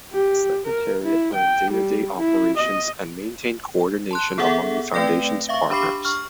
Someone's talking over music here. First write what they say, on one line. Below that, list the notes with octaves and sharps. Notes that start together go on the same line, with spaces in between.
The Secretariat ran day-to-day operations and maintained co-ordination among the Foundation's partners.
G4
A#4
E4
G5
G3
E4
D#5
A5 C6 F#6
B3 G#4 A4 E5 F#5
A3 C4 B4 D5 G5 A#6
E5 F5 C#6
D4 G4 B5 C#6 D6 C7
C#6 F6